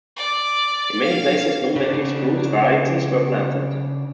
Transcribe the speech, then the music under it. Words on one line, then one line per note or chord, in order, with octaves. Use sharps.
In many places non-native spruce varieties were planted.
D5
F5
C#3 D4